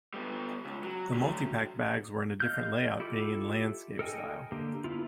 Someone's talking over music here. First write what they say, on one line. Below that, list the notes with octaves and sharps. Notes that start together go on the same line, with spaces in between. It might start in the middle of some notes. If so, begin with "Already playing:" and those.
The Multipack bags were in a different layout, being in Landscape style.
G3 B3
C#2
F#3
A2 F#3
D#5 F5 F6 G6
E4 F4 G4 A4 D6
A4 A#4 D#5 G5 G#5
D3 A#3 G4
B3 E4 F4